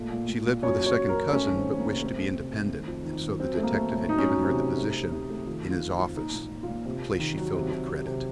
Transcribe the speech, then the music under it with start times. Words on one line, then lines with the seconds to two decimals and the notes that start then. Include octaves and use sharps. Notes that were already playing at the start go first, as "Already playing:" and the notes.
She lived with a second cousin, but wished to be independent and so the detective had given her the position, in his office, a place she filled with credit.
Already playing: A#2 A3
0.11 A#2
0.29 A#2
0.46 A#2
0.63 F#2 C#5
0.80 F#3
0.86 C#5
0.97 F#2
1.09 A#4
1.15 F#2
1.32 A3 C#4
1.49 D#3
1.55 C4
1.67 A3
1.79 A#3
1.84 C3
2.02 A3 C4
2.19 A3
2.36 C3
2.53 A3
2.71 D#3
2.88 F2
3.05 D#3
3.22 D#3
3.40 F#3 C4
3.57 A3
3.63 A#3
3.74 A3
3.91 A2
4.09 F#3 D#4
4.18 C#4
4.26 F#3 D#4
4.44 C3
4.60 C3
4.77 A3
4.95 C3
5.12 C3
5.30 A3
5.47 D#3 F4
5.64 F2
5.70 F4
5.82 D#3
5.99 F2
6.16 A#2 D#4
6.33 A#2
6.39 D#4
6.50 A#2
6.63 F4
6.68 A#2
6.85 C3
7.03 C3
7.19 D#3
7.37 F#3
7.55 C3
7.71 C3
7.89 C3
8.06 C3